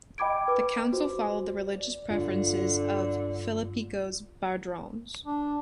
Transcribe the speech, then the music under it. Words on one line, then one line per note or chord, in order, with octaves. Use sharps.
The Council followed the religious preferences of Philippikos Bardanes.
D#5 G5 B5 D6 G#6 D7
B4 D6
F#4 C5
D5
G2 D3 F#3 F4
D4